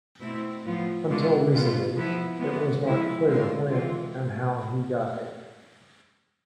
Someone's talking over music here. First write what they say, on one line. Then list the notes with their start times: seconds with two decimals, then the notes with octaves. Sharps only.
Until recently, it was not clear when and how he died.
0.21 B2 A3 C4 E4
0.65 A2 F3 B3 F4
1.09 B2 G#3 D4 F4
1.52 B2 B3 F4
1.96 F3 B3 E4
2.39 E3 G#3 B3
2.83 F3 G#3 B3 E4
3.27 D3 G#3 C4 F4
3.70 E3 G#3 C4 F4